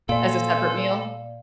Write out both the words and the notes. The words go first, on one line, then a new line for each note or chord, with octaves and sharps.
As a separate meal?
A#2 A4 C5 D5 F5 G#5 C6